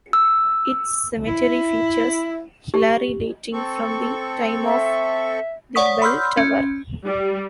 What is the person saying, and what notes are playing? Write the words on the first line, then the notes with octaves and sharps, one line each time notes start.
Its cemetery features Hilarri dating from the time of the bell tower.
E6
E4
G4
C4 A4 C#6
E5
C#5 D5 F#5 C#6 D#6 B6
B5 C6 E6 F6 G6
C#4
G3